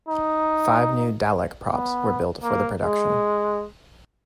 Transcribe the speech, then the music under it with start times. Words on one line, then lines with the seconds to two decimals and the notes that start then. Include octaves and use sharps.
Five new Dalek props were built for the production.
0.09 D#4
1.66 B3
2.43 A#3
2.83 G#3